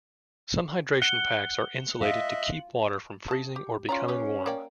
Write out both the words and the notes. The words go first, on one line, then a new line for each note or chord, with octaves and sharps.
Some hydration packs are insulated to keep water from freezing or becoming warm.
F#5 G7
F4 D#5 E5
C#3 A5
G4
C#4 F4 D5 A#5
G4 B4 C#5
A#3 D5 G5